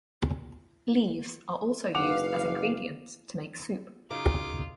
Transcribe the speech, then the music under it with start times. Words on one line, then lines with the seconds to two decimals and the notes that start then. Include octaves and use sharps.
Leaves are also used as ingredients to make soup.
1.94 F#1 B2 E3 B3 F5 F#5 D6 F7
4.10 F#2 C#3 D#4 F4 D6